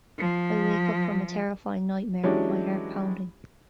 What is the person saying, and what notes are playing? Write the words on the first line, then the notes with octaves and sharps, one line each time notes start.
I wake up from a terrifying nightmare, my heart pounding.
F3
E3 F#3 G#3 C#4 D4 G4